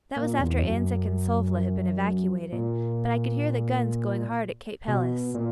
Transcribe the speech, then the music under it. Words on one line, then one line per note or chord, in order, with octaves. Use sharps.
That was after Anzac and Suvla had been evacuated, but I could hear the guns going hard at Cape Helles.
A#2
E2
F#2
A#2
B2
A#2